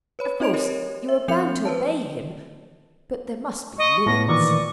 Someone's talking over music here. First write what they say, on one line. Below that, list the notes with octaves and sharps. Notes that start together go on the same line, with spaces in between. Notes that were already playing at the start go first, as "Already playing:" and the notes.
Of course you are bound to obey him;--but there must be limits.
B4 C#5 B5
C4 D#4 D#5 G#6 D7 F7
G4 A#4 C#5
E5
F3 C4 G6 C#7 F7
B4 C5 A5
D#5 C#6
A2 B3 A#6
A#2 D#3 E3 D5 C#6